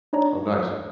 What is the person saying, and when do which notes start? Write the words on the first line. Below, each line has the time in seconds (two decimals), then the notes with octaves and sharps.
Oh, nice.
0.13 D4 D#4 C#5 D5 A#5